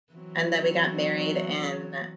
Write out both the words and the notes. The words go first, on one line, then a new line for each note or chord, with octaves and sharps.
and then we got married in
E3 F#3 C4